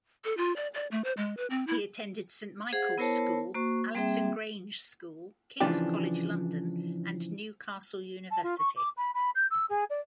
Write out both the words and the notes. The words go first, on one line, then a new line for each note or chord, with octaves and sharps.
He attended Saint Michael's School, Allerton Grange School, King's College, London, and Newcastle University.
A4
F4
D5
D5
A3
C5
G#3
B4
C4
E4
G#4 C5 F5 F#5
B3 E4 A#4 C5 C#5 A5
A#3 F#4 C5 C#6
G3 A#3 C4 G#4 E5 G5
C#3 E3 F3 D4 G4
A5
F4
C#6
D6
B5
B5
G6
E6
G#4
D5